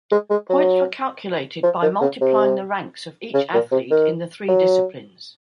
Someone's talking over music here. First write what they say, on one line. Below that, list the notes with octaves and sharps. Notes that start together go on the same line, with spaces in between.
Points were calculated by multiplying the ranks of each athlete in the three disciplines.
G#3
G#3
F#3
F3
D#3
C#3
C3
C#3
A#2
C3
D#3
F#3